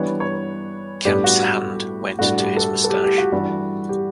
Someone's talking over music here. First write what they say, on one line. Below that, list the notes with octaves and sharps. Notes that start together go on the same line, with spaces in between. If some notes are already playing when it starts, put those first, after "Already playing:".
Kemp's hand went to his moustache.
Already playing: E3 G3 B3 D4 C#5
C#5
A2 G3 B3 D4 G4
F#4
F#4
A2 G3 D4 F#4
G4
A4
A4
G4
G4
F#4
E3 G3 D4
G4